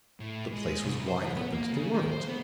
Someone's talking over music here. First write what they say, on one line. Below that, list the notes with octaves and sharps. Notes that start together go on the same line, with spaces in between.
The place was wide open to the world.
A2
G#3
C2
C5
E3
B3
A#3
C#3
D#3
C5
B3